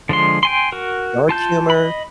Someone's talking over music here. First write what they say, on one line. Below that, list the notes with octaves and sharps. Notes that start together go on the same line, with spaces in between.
dark humor,
D3 F3 G#3 C6
G5 G#5 C6
F#4 A#4
F4 A5 G6
D#5 B5